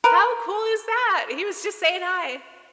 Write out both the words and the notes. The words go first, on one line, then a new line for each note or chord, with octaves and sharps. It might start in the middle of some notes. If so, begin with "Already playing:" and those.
How cool is that? He was just saying "Hi!" and
A#4 B4